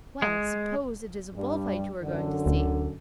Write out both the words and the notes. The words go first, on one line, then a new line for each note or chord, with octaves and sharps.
Well, suppose it is a bull-fight you are going to see?
G#3
G2 G3
F#2 D3
D1